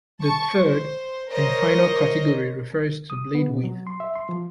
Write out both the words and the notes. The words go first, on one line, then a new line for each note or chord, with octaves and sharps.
The third and final category refers to blade width.
A5 C#6
C5
A#4 C5 C#5 D#5
D#6
B3
B2
F#3
C6
E5
C6
F3